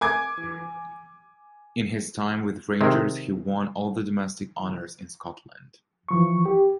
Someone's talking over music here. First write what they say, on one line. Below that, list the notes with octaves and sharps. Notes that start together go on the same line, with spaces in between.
In his time with Rangers he won all the domestic honours in Scotland.
G#5 D6 G#6
C3 D#3 G#3
E3 F3 C#6
G4